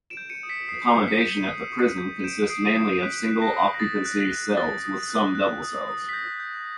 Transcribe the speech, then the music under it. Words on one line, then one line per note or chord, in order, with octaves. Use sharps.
Accommodation at the prison consists mainly of single occupancy cells, with some double cells.
D7 E7
G6
C#7 D#7
D#6
B6 C#7
D#6 C7
C7
G6
B6 C#7
G6
C#7 D#7
D#6
D#6
G6
D#7
G6 D7 E7
D#6 C7 D7
D#6 C7
F#6 B6
F#6
A#6
D#6
A#6
D#6 A6
F#6
F#6
D#6 A6
D#6
F#6
F#6
D#6
D#6
B6
G6 A#6
G6